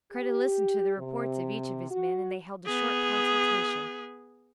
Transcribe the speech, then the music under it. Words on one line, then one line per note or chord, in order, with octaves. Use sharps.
Kreta listened to the reports of each of his men, and they held a short consultation.
G4
C3
F#4
B3 G#4